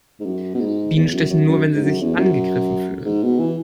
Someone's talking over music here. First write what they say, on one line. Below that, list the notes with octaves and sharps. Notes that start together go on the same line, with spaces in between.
Bienen stechen nur, wenn sie sich angegriffen fühlen.
G#2
F#2
B2
G#2
E2
F#2
F#2
F#2
G#2
F#2
E2
F#2
G#2
B2
E3